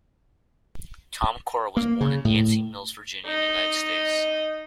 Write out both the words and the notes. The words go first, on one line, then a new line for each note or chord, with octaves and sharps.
Tom Cora was born in Yancey Mills, Virginia, United States.
A#3
C#3
A2
D#4 D#5